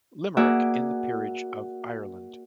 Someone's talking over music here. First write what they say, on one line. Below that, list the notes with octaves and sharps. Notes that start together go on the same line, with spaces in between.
Limerick, in the peerage of Ireland.
A#3 F#4 G#4 D5 E5